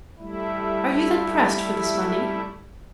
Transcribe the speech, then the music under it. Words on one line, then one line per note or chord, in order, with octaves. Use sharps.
"Are you then pressed for this money?"
G3 A3 E4